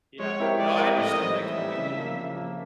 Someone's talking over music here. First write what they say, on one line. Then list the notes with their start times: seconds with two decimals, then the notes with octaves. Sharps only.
Yeah, no, I understand that completely.
0.19 G#3 C#5
0.39 C4 E4 G4 A#4
0.59 G#3 D5
0.79 C4 E4 G4 A#4
0.98 A2 D#5
1.18 E3 G3 C4 D#4
1.37 A2 E5
1.57 E3 G3 C4 D#4
1.76 C#3
1.97 F3 A#3
2.16 C#3
2.36 F3 A#3